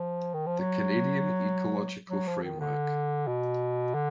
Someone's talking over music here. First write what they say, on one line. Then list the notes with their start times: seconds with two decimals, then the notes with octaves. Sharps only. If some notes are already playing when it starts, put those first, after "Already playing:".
The Canadian ecological framework.
Already playing: F3
0.34 D#3
0.46 F3
0.59 F#3
2.10 F#3
2.28 F3
2.43 D#3
2.60 D3
3.27 B2
3.94 D3